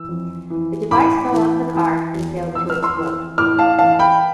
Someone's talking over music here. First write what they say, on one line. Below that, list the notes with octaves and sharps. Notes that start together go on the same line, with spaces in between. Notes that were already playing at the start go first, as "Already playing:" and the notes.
The device fell off the car and failed to explode.
Already playing: E3 E6
F2
E3
A2 B5 D6
E3
E3
E2
F2 E6
F6
C6 E6
E3
A2 D6 F6
F5 A5
E3 F5 A5
G5 B5